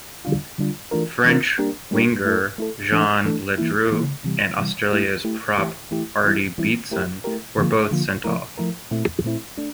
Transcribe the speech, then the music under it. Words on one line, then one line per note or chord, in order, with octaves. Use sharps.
French winger Jean Ledru and Australia's prop Artie Beetson were both sent off.
D3 G3 D4 F4
D3 G3 D4 F4
E3 A3 D4 F4 A#4
E3 A3 D4 F4 A#4
G3 A#3 D4 G4 A#4
G3 A#3 D4 G4 A#4
A3 E4 A4
A3 E4 A4
E3 A3 D4 A4
E3 A3 D4 A4
E3 A#3 E4
E3 A#3 E4
C3 E3 G3
C3 E3 G3
A3 E4 G4
A3 E4 G4
E3 A3 E4 G4
E3 A3 E4 G4
E3 G3 C4 E4
E3 G3 C4 E4
A3 E4 G4 A#4
A3 E4 G4 A#4
D3 F3 A#3 F4
D3 F3 A#3 F4
F3 A3 E4 A#4
F3 A3 E4 A#4
A#2 A3 C4 E4
A#2 A3 C4 E4
A3 D4